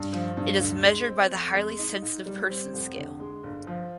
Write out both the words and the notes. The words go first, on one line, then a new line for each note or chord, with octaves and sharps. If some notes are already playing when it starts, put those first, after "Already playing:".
It is measured by the Highly Sensitive Person Scale.
Already playing: G2
F3
G2
D2
G#3
C4
F2
G#3
D#4
G#2
G3
C4
F1
D3
G#3
G1
F3